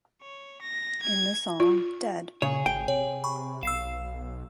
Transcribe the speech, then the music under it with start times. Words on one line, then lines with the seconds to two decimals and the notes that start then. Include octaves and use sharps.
In the song ""Dead!
0.22 C#5
0.61 A#6
1.02 G#6
1.60 F4
2.42 A#2 C#3 G#4 C#5
2.66 G#1 G5
2.88 C3 C#5
3.24 B5 C#6
3.63 B1 F5 E6 C7 E7